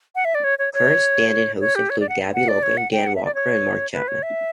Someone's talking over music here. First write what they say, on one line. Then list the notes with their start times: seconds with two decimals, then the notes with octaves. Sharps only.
Current stand-in hosts include Gabby Logan, Dan Walker, and Mark Chapman.
0.15 F#5
0.25 E5
0.35 D5
0.44 C#5
0.59 C#5
0.74 C#5
1.61 C#5
1.75 G4
1.90 C#5
2.00 D5
2.09 F#5
2.34 F#5
2.48 D5
2.63 C#5
2.77 F#5
2.92 G5
3.07 F#5
3.16 E5
3.25 D5
3.35 C#5
3.94 B4
4.08 C#5
4.23 E5